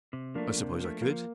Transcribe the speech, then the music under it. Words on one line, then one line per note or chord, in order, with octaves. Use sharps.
"I suppose I could."
C3
F3 A3 A#3 D4
C3
F3 A3
F3 A#3